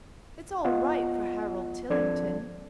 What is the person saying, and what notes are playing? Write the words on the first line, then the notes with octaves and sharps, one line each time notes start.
It's all right for Harold Tillington.
B3 F4 D#5 F#5
F3 C4 D4 A4 D5 G#6